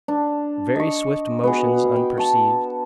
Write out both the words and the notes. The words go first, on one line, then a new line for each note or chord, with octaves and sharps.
Very swift motions unperceived.
D4
D#5 C#6
B3 F#4 G#4
G5
A5 C#6